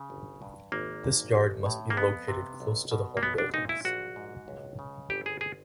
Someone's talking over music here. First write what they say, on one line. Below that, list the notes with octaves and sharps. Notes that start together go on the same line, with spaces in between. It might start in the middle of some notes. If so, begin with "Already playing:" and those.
This yard must be located close to the home buildings.
Already playing: C#3
G1
G2
G#1 A#3
G2
A1
A2
A#3
F2 B3
C3
B1
B2
A#3
B1 B3
D4
A#2 D#4
E4
A#1 F#4
G#2
C#2
C#3
G1 G4
G#4
G#4